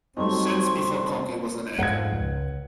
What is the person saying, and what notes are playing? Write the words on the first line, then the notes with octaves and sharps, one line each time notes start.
Since before cocky was an egg.
F2 F#3 G3 A3 C4 D#4 C6 C#6
F2 G#2 F#5 G#6
C#2